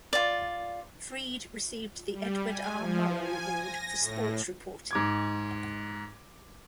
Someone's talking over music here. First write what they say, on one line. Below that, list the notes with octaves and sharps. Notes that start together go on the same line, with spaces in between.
Frede received the Edward R. Murrow Award for Sports Reporting.
F4 D5
G3
G#5
F3
G#5
A#6
A2
G#2 D6 G#6